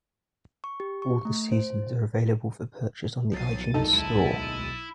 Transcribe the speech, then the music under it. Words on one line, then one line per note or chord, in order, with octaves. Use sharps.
All the seasons are available for purchase on the iTunes Store.
C#6
G4
C#6
A3
C5
B1 F3 F#3 A6 C7 D#7
C#2 F#2 A#2 D#4 A4
D2 G#3 E4